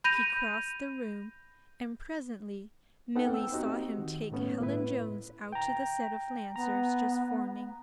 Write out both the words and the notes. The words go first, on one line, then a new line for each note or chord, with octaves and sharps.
He crossed the room, and presently Milly saw him take Helen Jones out to the set of Lancers just forming.
B5 G6 A#6 D#7 F7
B3 C4 D#4 A4 F#5 G5
G5 E6
C4 D#4 F#4 G4
D#3
A2 A3 B3 C#4
A2 E4 B4
G5 A#5
B3 A#5